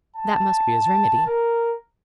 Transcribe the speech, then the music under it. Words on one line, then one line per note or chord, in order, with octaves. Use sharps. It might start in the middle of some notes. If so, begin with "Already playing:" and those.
That must be his remedy.
A5
A#4